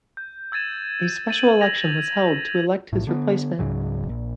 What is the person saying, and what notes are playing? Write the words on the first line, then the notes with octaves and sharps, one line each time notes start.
A special election was held to elect his replacement.
G6
E6 G#6 A6 D#7 E7
A6 D#7 F#7
G6 G#6 A#6 D#7 F7
B1 A2
D3 B3
C#2 G#2 C#3 F#3
A#1